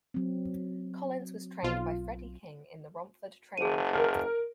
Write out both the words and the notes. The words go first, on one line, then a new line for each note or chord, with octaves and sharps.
Collins was trained by Freddie King in the Romford training camp.
F#3 C4
B1 F4
F#1 G#4 D#7
A#4